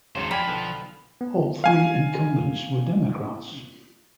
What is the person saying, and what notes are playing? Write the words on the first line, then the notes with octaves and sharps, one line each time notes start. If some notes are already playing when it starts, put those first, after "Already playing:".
All three incumbents were Democrats.
G#1 C#3 F#3 A4 C5
F3 D5 F5 G5 G#5 B5
B1 D3 B4
B3
F5 G#5